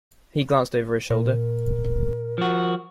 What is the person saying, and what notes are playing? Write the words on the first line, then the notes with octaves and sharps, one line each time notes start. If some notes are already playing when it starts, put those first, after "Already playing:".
He glanced over his shoulder.
A#2 A#4
F3 F#4